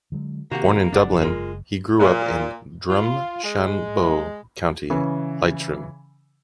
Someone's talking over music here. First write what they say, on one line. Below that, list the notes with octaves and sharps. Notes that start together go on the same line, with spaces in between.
Born in Dublin, he grew up in Drumshanbo, County Leitrim.
D3 F#3 G#3
C3 D#3 A#3 F#4 G4 F#5
F#1 D4 D5 F#5
G#3 F4 A#4
A#2
F4
G#3
C#3 E3